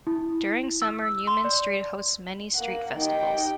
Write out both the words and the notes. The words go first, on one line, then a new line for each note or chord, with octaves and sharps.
During summer, Newman Street hosts many street festivals.
E4
E6
C6
D5
A#3 F#5
D#4 G4 G5